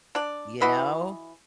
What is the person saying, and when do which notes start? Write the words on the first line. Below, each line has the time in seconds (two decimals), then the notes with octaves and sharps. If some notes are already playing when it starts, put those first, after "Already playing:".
You know?
0.15 D4 D5
0.61 E3 F#4 B4 D#5